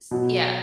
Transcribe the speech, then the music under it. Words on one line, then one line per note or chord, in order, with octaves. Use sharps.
S Yeah.
B2 F#3